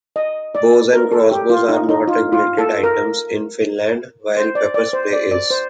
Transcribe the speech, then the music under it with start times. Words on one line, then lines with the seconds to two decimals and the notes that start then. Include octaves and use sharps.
Bows and crossbows are not regulated items in Finland, while pepper spray is.
0.16 D#5
0.55 D5
0.93 A#4
1.12 A4
1.31 G4
1.50 F4
1.69 D#4
1.89 D#4
2.07 F4
2.33 F4
2.58 A4
2.83 A#4
4.37 C5
4.55 D5
4.74 D5
4.93 C5
5.13 D5
5.31 D5
5.51 C5